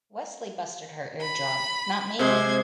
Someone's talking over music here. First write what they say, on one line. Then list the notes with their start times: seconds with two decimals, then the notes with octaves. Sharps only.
Wesley busted her eardrum, not me.
1.21 B5
2.19 C3 G#3 C5 G#6